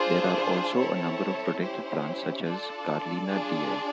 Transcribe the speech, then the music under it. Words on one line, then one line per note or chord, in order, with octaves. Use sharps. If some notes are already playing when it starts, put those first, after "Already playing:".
There are also a number of protected plants such as Carlina diae.
Already playing: D4 F4 G#4 C5
C4 E4 A4 C#5
C#4 E4 G4 C5
D4 F4 A4 D5
D4 F4 G#4